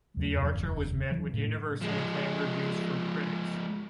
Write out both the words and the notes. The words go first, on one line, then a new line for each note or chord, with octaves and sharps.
The Archer was met with universal acclaim reviews from critics.
D#2 F#3 A3
E2 G2 C3 F3
F1 D#2
E3 F#3
A2
F3 G#3